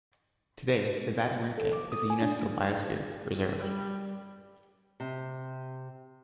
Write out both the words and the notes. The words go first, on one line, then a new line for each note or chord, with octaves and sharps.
Today the Vattenriket is a Unesco biosphere reserve.
A4
D6
D#6
G#5
D4
G3
C3